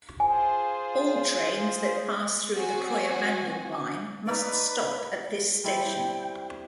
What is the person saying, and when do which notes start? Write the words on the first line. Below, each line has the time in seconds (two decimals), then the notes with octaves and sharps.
All trains that pass through the Kroya–Bandung line must stop at this station.
0.20 F4 G#4 C5 G#5
2.55 C4 F#4 G#5
4.27 D#4 B4 D5
5.64 G3 C4 E4 G5